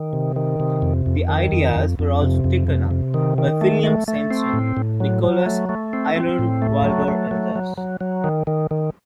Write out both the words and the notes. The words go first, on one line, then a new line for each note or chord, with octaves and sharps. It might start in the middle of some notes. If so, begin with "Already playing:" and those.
The ideas were also taken up by William Swainson, Nicholas Aylward Vigors, and others.
Already playing: D#3
C3
D#3
C3
F2
F2
D#3
F2
F2
F2
C3
F2
C3
C3
D#3
D#3
A3
A3
A3
C4
A2
A2
F#3
F#3
A3
A3
C4
C4
A2
A3
F#3
A3
F#3
F#3
F#3
F#3
D#3
D#3
D#3